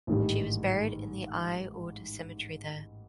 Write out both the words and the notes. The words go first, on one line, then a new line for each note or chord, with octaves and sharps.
She was buried in the Al Oud cemetery there.
A1 G#2 D#3 G3